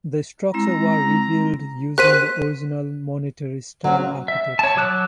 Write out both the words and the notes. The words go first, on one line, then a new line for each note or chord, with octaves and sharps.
The structure was rebuilt using the original Monterey style architecture.
G#3 C4 E4 A#5
A#4 C5 F#6 B6 D#7
F#3 C4 C#4
E5
C#5 A5
F#3 D6 F#6